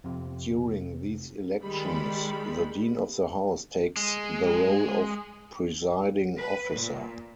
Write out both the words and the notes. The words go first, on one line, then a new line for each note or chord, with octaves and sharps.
During these elections, the Dean of the House takes the role of presiding officer.
F2 C3 F3
D#3 G3 G#3 B5
G#3
B4
A#2